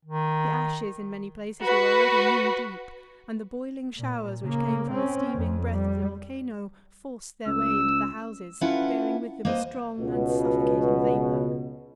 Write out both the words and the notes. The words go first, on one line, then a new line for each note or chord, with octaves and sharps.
The ashes in many places were already knee-deep; and the boiling showers which came from the steaming breath of the volcano forced their way into the houses, bearing with them a strong and suffocating vapor.
D#3
F#4 B4
A#2
C#3 A#3
C4 C#4
F2
G3
C#2 E6
C#4 E4 F4 A4 B4 F#5
A#3 B4 C5 D#5
C#2 B2